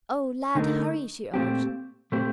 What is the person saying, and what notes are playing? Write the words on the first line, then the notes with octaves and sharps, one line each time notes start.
"Oh, Lad, hurry!" she urged.
D3 A3 D#4 A#4
A#2 A3 C4 G4
A#2 A3 C4 G4